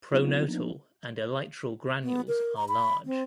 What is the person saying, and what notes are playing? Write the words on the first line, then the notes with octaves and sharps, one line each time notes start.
Pronotal and elytral granules are large.
F#3 B3 C4 D#4 F4
F3 A#3 B3 D4 D#4
B3
A#4
A#5
B5
C4